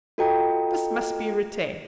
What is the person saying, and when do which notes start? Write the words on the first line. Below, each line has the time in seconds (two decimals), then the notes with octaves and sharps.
This must be retained.
0.18 F4 F#4 A4 D#5 G5 A#5